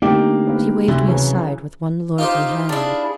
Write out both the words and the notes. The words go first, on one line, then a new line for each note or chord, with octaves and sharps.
But he waved me aside, with one lordly hand.
D3 A3 A#3 C4 D#4 G4
A#3 B3
D2 C3 E4 F#4
C#3 E3 F#3
D#4 F4 G4 C5
D4 E4 G#4